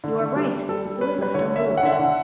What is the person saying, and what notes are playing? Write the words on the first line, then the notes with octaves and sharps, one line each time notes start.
"You are right; it was left on board."
D3
D3
G3
G3
G3 A4
G3
C#4 B4
G3 B4
D3 C#5
C#4
E5
C#4
F#5
D3 E5
F#5
D3